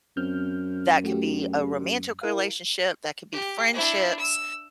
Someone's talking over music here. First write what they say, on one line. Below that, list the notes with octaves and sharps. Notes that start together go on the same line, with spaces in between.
that can be a romantic relationship, that can be friendships,
F#2 C4 F6 G6
A3 F#4 G4
E4 A#4 F5
G4
D4 E4
E6